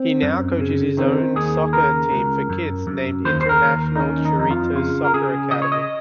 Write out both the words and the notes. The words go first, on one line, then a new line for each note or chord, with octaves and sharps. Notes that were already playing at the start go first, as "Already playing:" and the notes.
He now coaches his own soccer team for kids named International Cerritos Soccer Academy.
Already playing: C4
F#2
C#3
D#3 C4
D#2 G#4
C#3 A#4
C#2
F#2
F#2
D#2 C5
C5
A#4
D#2
D#4
D#3 C#4
D#4
F2 D#4
F4
C#3 F4
A#4
C#3 G#4
C#3 D#5
C#5
D#5